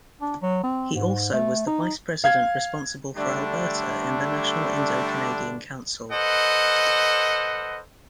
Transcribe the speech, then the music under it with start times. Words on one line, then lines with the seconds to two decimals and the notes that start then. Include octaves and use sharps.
He also was the vice-president responsible for Alberta in the National Indo-Canadian Council.
0.22 D4
0.42 F#3
0.63 C4
0.96 G#2
1.33 A3
1.67 D#4
2.24 F5 G#6
3.16 D3 G3 A3 D4
6.12 A4 B4 C5 D#5 F#5